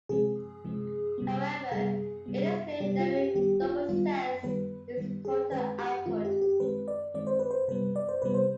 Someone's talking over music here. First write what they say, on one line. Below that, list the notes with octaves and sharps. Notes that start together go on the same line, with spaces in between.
However, it is clear that we don't possess his total output.
C3 F3 G#3 C4 G#4
C3 F3 G#3 C4
C3 G3 B3
C3 G3 B3 G#4
C3 G3 B3
C3 G3 B3 G4
F4
G4
D#3 G3 B3 G4
F4
D#3 G3 B3 F4
D#3 G3 B3 B4
D#3 G3 B3
G#4
D#3 G#3 C4 B4
G4
D#3 G#3 C4 F4
G4
G4
D#3 G#3 C4 B4
D5
D#3 G#3 C4 D5
C5
B4
C5
C3 G3 B3 B4
D5
C5
C3 G3 B3 B4
C5